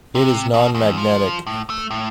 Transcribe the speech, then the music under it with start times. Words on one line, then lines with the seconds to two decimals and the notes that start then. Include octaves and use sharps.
It is nonmagnetic.
0.15 C3
0.54 B2
0.75 E2
0.98 F3
1.47 A2
1.70 A3
1.91 A2